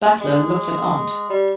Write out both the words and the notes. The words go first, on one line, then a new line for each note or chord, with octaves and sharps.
Butler looked at aunt.
G#3
G3